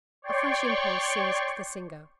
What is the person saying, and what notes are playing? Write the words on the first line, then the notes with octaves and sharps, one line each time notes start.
A fresh impulse seized the singer.
C#5 D5 G5 C6 C#6